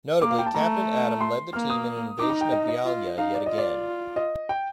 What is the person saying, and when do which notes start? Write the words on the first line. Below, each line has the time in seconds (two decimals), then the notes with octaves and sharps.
Notably, Captain Atom led the team in an invasion of Bialya yet again.
0.22 A#3 D6
0.30 F5
0.39 G5
0.46 A5
0.54 A3 A#5
1.21 C6
1.53 A#3 F6
1.70 D#6
2.19 D#4 D6
2.30 A#5
2.41 G5
2.52 D#5
2.68 D#5
2.84 F4
3.18 D#4 F5
3.34 D5
3.46 F4 D#5
3.58 D5
4.16 D#5
4.49 G5